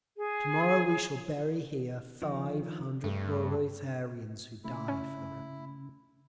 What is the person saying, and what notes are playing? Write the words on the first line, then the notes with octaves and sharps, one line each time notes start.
"To-morrow we shall bury here five hundred proletarians who died for the Revolution."
G#4
D#3 F3
G2 A3
C#3 A3 E4
C#4